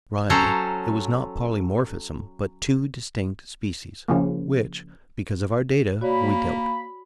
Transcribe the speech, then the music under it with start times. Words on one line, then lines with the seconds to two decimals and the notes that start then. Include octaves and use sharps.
Riley, it was not polymorphism, "but two distinct species"--which, because of our data, we doubt.
0.30 F#3 C#4 A4 C5 A#5
4.08 C#3 F3 A#3
6.01 A#3 F#4 C#5 D5 B5